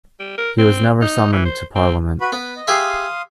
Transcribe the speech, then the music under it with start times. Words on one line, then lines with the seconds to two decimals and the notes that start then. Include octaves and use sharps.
He was never summoned to Parliament.
0.19 G3
0.38 A#4
0.58 C4
1.01 D#4
1.32 E3
1.45 C5
1.75 C4
2.21 F#4 B4 B5
2.32 B3 B4
2.56 D#5
2.68 G4 G#4 E5 F5 C6 D#6